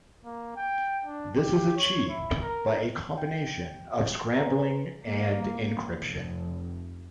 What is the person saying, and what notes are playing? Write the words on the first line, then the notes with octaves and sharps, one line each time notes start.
This is achieved by a combination of scrambling and encryption.
A#3
G5
D4
G4
C#5
E4
A#4
G5
B4 C5 G#5 A#5
A#3
F1